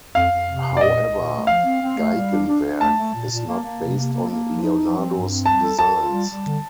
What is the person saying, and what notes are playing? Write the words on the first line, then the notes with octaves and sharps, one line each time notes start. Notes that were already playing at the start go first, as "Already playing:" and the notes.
However, Geigenwerk is not based on Leonardo's designs.
F2 F5
F2
C3
F2
D5
A#2 D#5
C2
A#2
A3
F3 F5
C4
C4
A3
G3
D4
D4
D4
A3 A5
A3
A#2
A#2
A#3
A#3
C3
A#3
A#3
A#3
F3
D#4
F3
C4
G2
C4
G3 A5
A4
A4 A5
F4
G3
G3
D3